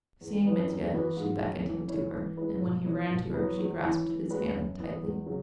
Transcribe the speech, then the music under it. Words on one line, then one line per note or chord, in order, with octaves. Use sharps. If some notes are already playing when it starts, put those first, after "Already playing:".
Seeing Mitya, she beckoned him to her, and when he ran to her, she grasped his hand tightly.
E2
E3 B3 E4 B4
F#2
E3 B3 F#4 B4
G#2
F#3 C#4
E3
C#4 E4 C#5
E3
G#3 E4 B4
B2
B3 E4 C#5
B2
F#3 B3 E4 B4
E2
E3 C#4 E4 C#5
E3
G#3 C#4 F#4 B4
F#2
E3 B3
E2
C#3 F#3